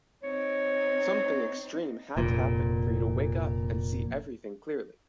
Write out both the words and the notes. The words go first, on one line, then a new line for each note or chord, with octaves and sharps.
Something extreme had to happen for you to wake up and see everything clearly.
C4 D#4 C#5
F1 A#2